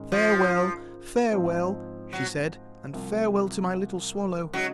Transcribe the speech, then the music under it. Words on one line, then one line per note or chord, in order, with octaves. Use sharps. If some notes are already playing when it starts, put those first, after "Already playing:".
'Farewell, farewell,' she said 'and farewell to my little swallow.
Already playing: G#2 D#3 G#3 C#4
F3
G#2 F3 C4
F#3
C2 C3 F3
C#3 F#3 G#3 D#4 F#4